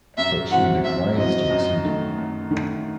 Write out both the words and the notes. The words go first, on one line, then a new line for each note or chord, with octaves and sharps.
But she declines to accede.
F#2 E5
E3 C4 F#4 F#5
F#2 E5
E3 C4 F#4 D#5
F#2
D#3 A3
F#2
D#3 A3